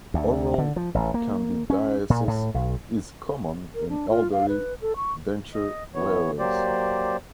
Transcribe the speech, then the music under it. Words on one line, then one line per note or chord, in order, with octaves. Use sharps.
Oral candidiasis is common in elderly denture wearers.
D2
D3
F3
A1
A#3
C#4
A#2
A2
B1
A#4
D4
F4
F5
B4
A4
C#6
D#5
E3 B3 C#5
F#3 A#3 G4 C5 D5